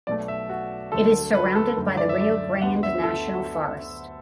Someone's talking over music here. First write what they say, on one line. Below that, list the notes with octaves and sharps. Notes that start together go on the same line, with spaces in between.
It is surrounded by the Rio Grande National Forest.
B1 B2 A3 D5
E5
F#4
D2 D3 F#3 A3 A4
B4
A4
F#2 D3 A3
D5
E5
D5
D2 D3 F#3 B3 F#5
E5
A4